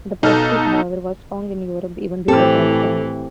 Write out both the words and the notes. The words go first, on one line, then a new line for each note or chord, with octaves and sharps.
The practice, however, was strong in Europe even before that time.
B1 B2 D#4 A4 F6
A2 E3 C4 G4 A4